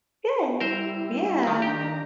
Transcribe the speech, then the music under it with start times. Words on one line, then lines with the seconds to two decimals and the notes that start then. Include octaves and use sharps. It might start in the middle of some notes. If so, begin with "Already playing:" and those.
Good. Yeah,
0.60 G3 E4 A#4 C5
1.47 D#3
1.62 D#3 D4 G4 A#5